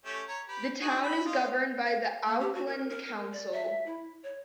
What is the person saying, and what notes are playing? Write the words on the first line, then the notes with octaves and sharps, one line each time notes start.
The town is governed by the Auckland Council.
A3 C#4 G4
C#5 A#5
G4 B4
F#4 G#4 D#5
B5
F4 D#5
F5
F5
A#3
G4
F#4
A#4
A#4
D5
E5
E4
C#5